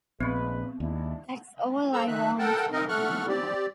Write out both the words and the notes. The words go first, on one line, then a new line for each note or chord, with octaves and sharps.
That's all I want.
A#1 G#3 B3 C4 B4
D#2 G#3 D4 E4
A4 C5 A#5 E6
D#3 D#4 E5 F#6
A4 A#4 F#5 G5 A5
C4 D#4 A#4 D#5
A3 A4 F#5 C#6 F6 F#6
C4 G4 D5